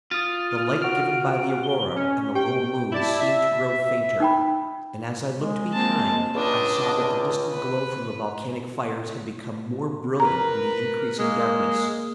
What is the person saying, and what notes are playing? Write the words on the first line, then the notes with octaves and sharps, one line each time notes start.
The light given by the aurora and the low moon seemed to grow fainter; and as I looked behind I saw that the distant glow from the volcanic fires had become more brilliant in the increasing darkness.
F4 D#6 F6 A6
F#4 F6 D7
G7
C#4
G4 G5
E4 D5 A5
E5
D#4 G5 B5
G#3
A#3 C4 A5
C#2 D4 D#5
B4
A#4 B4 A#5
G#3 A#3